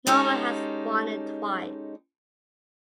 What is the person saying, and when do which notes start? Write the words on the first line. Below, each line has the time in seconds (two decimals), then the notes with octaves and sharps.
No one has won it twice.
0.07 G#3 C#4 D#4 G4 A4